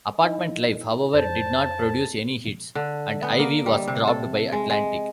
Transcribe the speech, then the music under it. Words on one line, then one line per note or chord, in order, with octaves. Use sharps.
"Apartment Life", however, did not produce any hits, and Ivy was dropped by Atlantic.
D#4 E4 D#5
F2 C5 A5 G6
D3
B3
A#3
G3
C3
A4
G#3
G#3